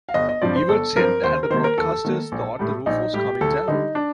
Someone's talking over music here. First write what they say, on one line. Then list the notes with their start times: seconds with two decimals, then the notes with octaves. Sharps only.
Evert said that the broadcasters "thought the roof was coming down".
0.09 F5
0.14 G1 D#5
0.29 D#5
0.42 G2 F3 C4 D5
0.56 C5
0.69 G1 A4
0.96 G2 F3 C4 A#4
1.23 D#2 C5
1.43 A#4
1.50 D#3 A#3 C5
1.64 A#4
1.78 D#2 A4
2.05 D#3 A#3
2.32 A#1
2.59 A2 G3
2.86 A#1 D#4
3.13 A2 G3 G4
3.41 D2 A4
3.68 D3 G3 D#4
3.95 D4